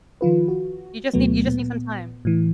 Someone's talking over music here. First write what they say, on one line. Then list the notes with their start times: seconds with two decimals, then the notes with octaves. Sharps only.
You just need you just need some time.
0.21 D#3 F3 F4 B4
0.48 F#4
1.14 D2 B2 F#3 A3 B3
1.46 A#2 B3
2.25 A2 E3